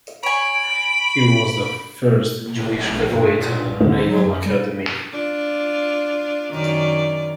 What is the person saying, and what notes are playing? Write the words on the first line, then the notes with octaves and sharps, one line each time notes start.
He was the first Jewish graduate of the Naval Academy.
C#5 G#5 B5 D7
D1
A#1
G2
A#2
C2
D3
F#3
F#2
G3
D4 F4
F#2 D#3 D5